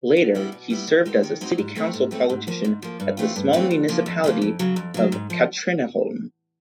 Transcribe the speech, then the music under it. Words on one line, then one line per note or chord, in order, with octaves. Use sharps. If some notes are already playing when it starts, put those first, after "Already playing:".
Later, he served as a city council politician at the small municipality of Katrineholm.
B2
G3 B3 E4
B2
G3 B3 E4
D#3
G#3 C4 D#4 F#4
D#3
G#3 C4 D#4 F#4
G#2
E3 A3 C4
G#2
E3 A3 C4
G#2
F3 A#3
G#2
F3 A#3
G2
E3 A3 C4 F4
G2
E3 A3 C4 F4
F2
C#3 F3 A#3
F2
C#3 F3 A#3
F2
C#3 F#3
F2
C#3 F#3
G#2
F3